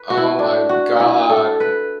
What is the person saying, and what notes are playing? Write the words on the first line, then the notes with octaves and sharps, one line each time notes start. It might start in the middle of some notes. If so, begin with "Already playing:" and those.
Oh my god.
Already playing: B4
F#4
E4
D4
F#4
E4
A4
B4